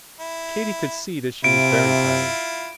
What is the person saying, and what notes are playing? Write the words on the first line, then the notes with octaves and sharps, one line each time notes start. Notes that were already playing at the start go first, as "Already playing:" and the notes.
Katy could see that she was very tired.
E4
C3 E4 F4 D7